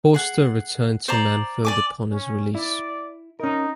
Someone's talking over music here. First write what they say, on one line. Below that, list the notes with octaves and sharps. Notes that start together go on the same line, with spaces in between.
Forster returned to Manfield upon his release.
G#4 F#5
C5 D5 A#5
D5 G#5 D6
C#4
E4 D5
C#4 D#4 A#4